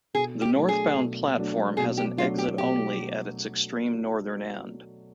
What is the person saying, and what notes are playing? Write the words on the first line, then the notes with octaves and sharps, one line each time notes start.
The northbound platform has an exit-only at its extreme northern end.
B2 G#4
G4
F#3 A3 D4
G#4
B2
F#3 A3 D4
B2 G#4
G4
F#3 A3 D4 F4
G4
B2 G4